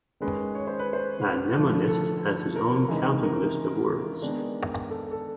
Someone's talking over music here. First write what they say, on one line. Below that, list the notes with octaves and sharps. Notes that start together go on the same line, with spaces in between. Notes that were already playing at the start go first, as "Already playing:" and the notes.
A mnemonist has his own "counting list" of words.
D#3 G#3 C#4 B4
C#5
C5
B4
C5
B4
D3 F3 A3
A4
A#4
C#3 E3 G#3 C4 D#4
A#4
A#4
D#3 G#3 B3 D4
A4
A4